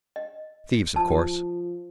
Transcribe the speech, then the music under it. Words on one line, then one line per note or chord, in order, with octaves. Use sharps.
Thieves, of course.
D#5
F3 A5